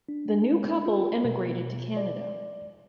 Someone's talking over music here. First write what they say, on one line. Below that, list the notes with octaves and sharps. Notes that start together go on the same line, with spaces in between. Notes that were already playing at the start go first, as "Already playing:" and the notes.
The new couple emigrated to Canada.
D4
F4
B2
D5